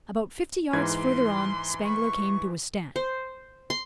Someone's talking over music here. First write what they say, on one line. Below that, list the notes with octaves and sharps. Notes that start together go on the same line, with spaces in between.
About fifty yards further on, Spangler came to a stand.
G#2 E3 C6 G#6
C#6
C5
C6